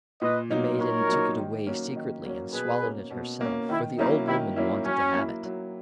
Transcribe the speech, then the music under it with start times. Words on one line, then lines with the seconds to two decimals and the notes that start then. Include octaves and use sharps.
The Maiden took it away secretly and swallowed it herself, for the Old Woman wanted to have it.
0.21 A#2 B4 D#5
0.50 F#3 A#3 D#4
0.79 A#2 A#4 C#5
1.08 F#3 A#3 D#4
1.38 D#3
1.66 F#3 A#3 C#4
1.96 D#3
2.24 F#3 A#3 C#4
2.53 B2 G#4 B4
2.82 A#3 C#4
3.10 B2
3.41 A#3 C#4
3.69 D#3 E4
3.98 F#3 A#3 C#4 D#4 E4
4.27 D#3 E4
4.56 F#3 A#3 C#4 E4
4.85 F#3 C#4
5.14 A#3 E4
5.44 F#3